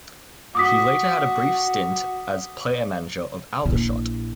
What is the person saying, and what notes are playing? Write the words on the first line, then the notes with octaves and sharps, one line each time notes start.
He later had a brief stint as player-manager of Aldershot.
F#4 D6 D#6 B6
A#1 E4